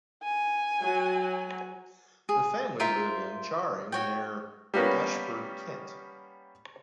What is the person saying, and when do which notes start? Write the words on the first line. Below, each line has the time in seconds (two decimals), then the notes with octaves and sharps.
The family live in Charing, near Ashford, Kent.
0.23 G#5
0.82 F#3
2.29 G#4
2.80 F4 A#4 C5 E5
3.92 F#4 C#5 G5
4.74 G3 A#3 B3 C#4